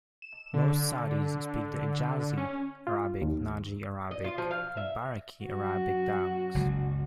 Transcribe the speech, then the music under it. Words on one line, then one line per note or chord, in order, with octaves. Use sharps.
Most Saudis speak the Hejazi Arabic, Najdi Arabic and Bareqi Arabic dialects.
E7
D3
C#4
F4
D#2
D#5
F4
F3
F5
E5
F#2 F#4
F#1 C#2 C#3